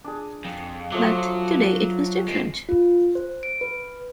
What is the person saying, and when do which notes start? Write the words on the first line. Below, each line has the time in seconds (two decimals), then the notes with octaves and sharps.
But today it was different.
0.04 D4 G#4
0.45 F2
0.92 F3 F#3 A3 D6
2.28 G#3 C4 G#5
2.69 F4
3.15 C5
3.43 D7
3.61 B4